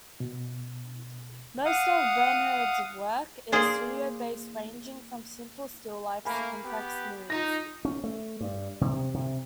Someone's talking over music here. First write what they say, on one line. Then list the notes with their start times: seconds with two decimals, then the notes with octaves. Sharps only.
Most of Bernhard's work is studio-based, ranging from simple still lifes to complex nudes.
0.20 B2
1.65 F5 F#5 D#6
3.52 A#3 G#4 C5 D5
6.25 A3 A#3 G#5 B5
6.64 B3 G4
7.30 D#4 F4 A#6
7.85 C#4
8.04 A3
8.41 G2
8.81 C3
9.14 C3